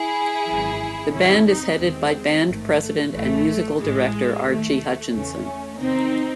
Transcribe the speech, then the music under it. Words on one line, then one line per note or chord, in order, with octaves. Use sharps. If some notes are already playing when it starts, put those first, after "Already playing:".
The band is headed by Band President and Musical Director Archie Hutchison.
Already playing: E4 G#4
G#1 F#2 E3
E2 C3 D#3 C#4 E4
C4 D#4
E2 C3 D#3 G#3 C4
A1 G#2 D#3 A3
A1 A2 E3 A3
A1 A2 E3 G#3
D#2 D#3 A3
E2 C#3 E3 A3 C#4
E2 C3 D#3 C4 D#4